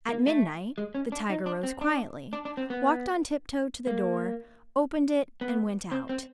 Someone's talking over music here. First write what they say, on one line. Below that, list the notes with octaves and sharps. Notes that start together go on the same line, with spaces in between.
At midnight the tiger rose quietly, walked on tip toe to the door, opened it, and went out.
A#3
A3
G#3
C#4
D4
D#4
D4
C4
D4
D4
D4
C4
B3
A#3
B3
C4
C4